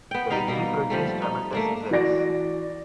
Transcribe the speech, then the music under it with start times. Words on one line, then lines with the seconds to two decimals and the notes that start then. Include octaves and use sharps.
The victory produced tremendous results.
0.11 B3 G5
0.30 G3 D#4 D#5 F5
0.48 B2 A#3
0.90 F3 G3 A3
1.22 D#4
1.53 A3 A#3 D4
1.91 E3 F#4 D5 A#6 D7